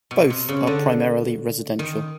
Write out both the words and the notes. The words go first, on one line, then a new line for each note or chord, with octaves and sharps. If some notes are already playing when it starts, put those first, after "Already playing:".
Both are primarily residential.
B2
C3
C#3
D3
D#3